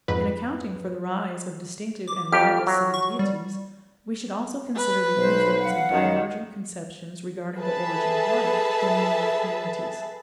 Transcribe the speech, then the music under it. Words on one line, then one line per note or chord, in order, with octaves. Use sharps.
In accounting for the rise of distinctive and rival city deities, we should also consider the influence of divergent conceptions regarding the origin of life in mingled communities.
F2 G#2 B4
D6
F2 G4 F6
F#3
C#6
G3
B4
B1 C5
F5 F#5
F#2 D#3
G#4 A4 B4 E5 A5